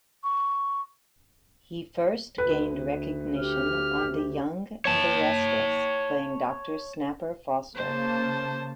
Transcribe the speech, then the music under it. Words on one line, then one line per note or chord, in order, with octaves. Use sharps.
He first gained recognition on "The Young and The Restless", playing Doctor Snapper Foster.
C#6
D2 B4
G4 F6
C#5 A5
C#3 A#3 C5 A5